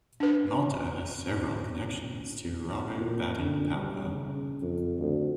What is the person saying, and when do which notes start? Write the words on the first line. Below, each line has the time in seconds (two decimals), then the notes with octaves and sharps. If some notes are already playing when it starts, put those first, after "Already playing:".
Malta has several connections to Robert Baden-Powell.
0.20 D4 B4
2.99 A#2
3.38 D3
3.75 G3
4.10 C#3
4.62 F2
4.99 D2